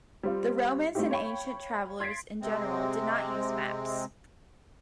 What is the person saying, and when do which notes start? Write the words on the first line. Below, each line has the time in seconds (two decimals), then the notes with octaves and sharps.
The Romans and ancient travelers in general did not use maps.
0.23 G3 C4 F4
0.95 G3 A3 C4 D#4 E4 G4
1.11 C#5 F5 G5 B5 C#6
2.00 C6 G#6 A6 B6 C7 D7
2.41 C3 G#3 C4